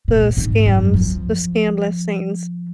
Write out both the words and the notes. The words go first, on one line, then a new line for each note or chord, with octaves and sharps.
the scams, the scam listings,
A#2
G#2
F#2
F3